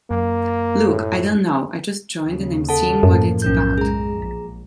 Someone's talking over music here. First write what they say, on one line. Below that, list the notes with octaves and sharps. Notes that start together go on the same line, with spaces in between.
Look, I don't know, I just joined and I'm seeing what it's about.
F#2 A#3
A2
D#2 C#3
A4 F#5 A5
F#2 A2 F3 A#3
B1 A2 F3 C#4 A#4 G6
G#3 G#4 A#5
A#1